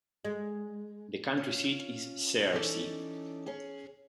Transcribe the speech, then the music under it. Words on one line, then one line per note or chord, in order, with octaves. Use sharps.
The county seat is Searcy.
G#3
C#4 F4
E3 C#4 D#4 E4 A4 D5
C#4 G#4